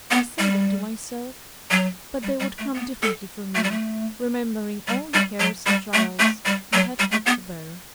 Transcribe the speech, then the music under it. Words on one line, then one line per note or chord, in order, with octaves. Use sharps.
I say them to myself, but they would come differently from you, remembering all the cares and trials you have had to bear.'
B3
G3
F#3
G3
G3
A3
B3
A4
A3
G3
A3
G3
G3
F#3
G3
A3
A3
G3
F#3
G3
A3
B3